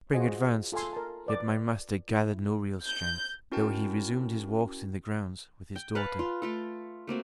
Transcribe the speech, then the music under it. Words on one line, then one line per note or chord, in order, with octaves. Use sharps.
Spring advanced; yet my master gathered no real strength, though he resumed his walks in the grounds with his daughter.
F4 F#4 G#4 C5 D#5 G#5
F4 A4 F5 G#5 C6
A#4 A5
B4 D5 D6
E4
G6
C#4 E4 F#4 A#4 G5 A5
G5
B4 F5 F#5 A5
F4
A3 F4 A4
A3 A#3 C4 F#4